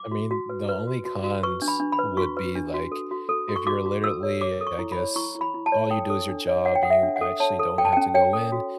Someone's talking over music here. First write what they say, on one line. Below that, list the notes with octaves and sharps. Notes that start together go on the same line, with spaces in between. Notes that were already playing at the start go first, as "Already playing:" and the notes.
I mean, the only cons would be, like, if you're literally I guess, all you do is your job and you actually don't have to go in,
Already playing: D6
F#4
F#4
B4
B4
F#4
F#4
F#4
B4 C#6
D4
B5
D4
B5
B4
F#4 C#6
B4
D4
F#4
A4
F#4
A4
F#4
C#6
F#4 D6
F#4
A4 E6
C#5
C#5 D6
A4
C#6
E4
B5
C#5
E4 C#6
E4
B5
E4
A5
C#5
A4 G5
A4
D4
C#5
C#5 F#5
G5
A4 F#5
E5
D4
F#5
A4
C#5 A5
A4
A4 G5
A5
G5
C#4
C#5 G5
A4
F#4